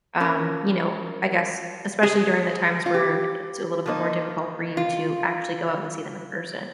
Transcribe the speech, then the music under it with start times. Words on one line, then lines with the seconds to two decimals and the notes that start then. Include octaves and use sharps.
um, you know, uh, I guess, especially during the times where I it's a little bit more difficult for you to actually go out and see them in person.
0.20 F3 A#3 C#4 A#4
2.03 G#4
2.86 F4
2.94 G4
3.86 F3 A#3 D#4
4.77 F4